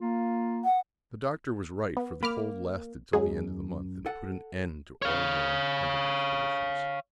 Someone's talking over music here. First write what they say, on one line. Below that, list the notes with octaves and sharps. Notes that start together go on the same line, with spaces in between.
The Doctor was right, for the cold lasted till the end of the month, and put an end to all their hunting expeditions.
A#3 F4
F#5
B3
A#3 B5 D6 F6
F#2 F#3 G#3 G#4
A4 F#5
C#5 F5